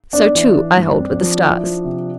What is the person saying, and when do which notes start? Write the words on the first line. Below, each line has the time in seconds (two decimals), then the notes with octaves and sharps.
So, too, I hold, with the stars.
0.13 B3 D4
0.35 E3
0.56 E3
0.77 G2
1.00 C4
1.21 F3
1.42 E4
1.64 F3
1.84 C3